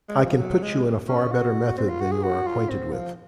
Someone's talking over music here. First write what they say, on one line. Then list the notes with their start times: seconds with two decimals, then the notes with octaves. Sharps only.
I can put you in a far better method than you are acquainted with...
0.09 G#3
0.24 F3
0.39 F#3
0.63 G#3
1.08 C#4
1.32 F#4
1.77 C4
1.89 F4
2.01 F#4
2.12 G#4
2.23 F#4
2.47 F4
2.70 C4
2.93 F3